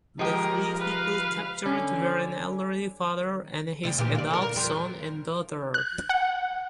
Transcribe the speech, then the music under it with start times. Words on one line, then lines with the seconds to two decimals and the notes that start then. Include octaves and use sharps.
The three people captured were an elderly father and his adult son and daughter.
0.19 F3 G#3 G4 A#4
0.78 B4 F5
1.66 D3 C#4
3.83 D2 C#3 G3
3.98 A#2 E3 G4
4.15 F4 D5
4.31 D3 A#4
4.42 A#4
4.56 F2 F3 G3
5.74 F#6
6.09 F#5